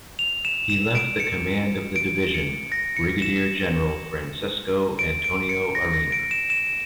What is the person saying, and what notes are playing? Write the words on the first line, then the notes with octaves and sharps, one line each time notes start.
He left the command of the division Brigadier General Francesco Antonio Arena.
F7
E7
E7
D7
C#7
D7
C#7
A#6
C#7
E7
D7
D7
C#7
A#6
A#6
D7
E7
E7